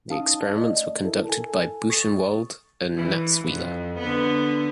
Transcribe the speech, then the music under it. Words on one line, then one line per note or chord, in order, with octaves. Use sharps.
The experiments were conducted at Buchenwald and Natzweiler.
C#4 D#4 F5 A5 D#6
A3 D5 D#5
E4 A4 A#4
A4 G#5
C#6 D#6 A6
E3
F2
D3 B3